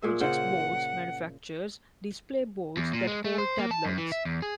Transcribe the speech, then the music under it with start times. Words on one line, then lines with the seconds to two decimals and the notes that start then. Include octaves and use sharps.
Projex Boards manufactures display boards that hold tablets.
0.02 A#2 G#4 E5
0.20 C#3 C5 F#5
2.77 E2
2.93 A#2
3.07 G#3
3.24 A3
3.38 C5
3.58 A#3
3.71 A5
3.85 F#2
3.98 E3
4.12 E5
4.25 E2
4.42 G#4